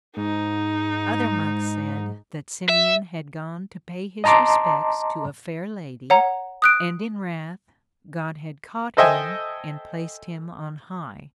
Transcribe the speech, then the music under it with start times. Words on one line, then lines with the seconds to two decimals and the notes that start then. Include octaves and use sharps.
Other monks said that Simeon had gone to pay his respects to a fair lady, and in wrath God had caught him and placed him on high.
0.17 G#2 D#4
2.69 E5
4.24 D#5 A5 A#5 C6 D6
6.10 C#5 F#5 A#5
6.62 D#6 F#6 D7
8.97 A4 C5 D#5 E5 G5 G#5